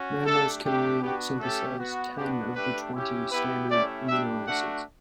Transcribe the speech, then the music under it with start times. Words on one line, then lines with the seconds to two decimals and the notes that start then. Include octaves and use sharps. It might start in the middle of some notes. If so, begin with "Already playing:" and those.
Mammals can only synthesize ten of the twenty standard amino acids.
Already playing: C#4 F#4
0.25 A3 D4 G4 A4
0.64 A3 D4 G4
1.02 B3 D4 F#4 G4
1.40 A3 C#4 G4 A4
1.78 B3 F#4
2.16 B3 D4 F#4 G4
2.55 A3 D4 G4 B4
2.94 C#4 E4 G4
3.32 B3 E4 G4 B4
3.70 A3 C#4 E4 G4 D5
4.08 G3 D4 G4 E5
4.46 A3 D4 F#4 F#5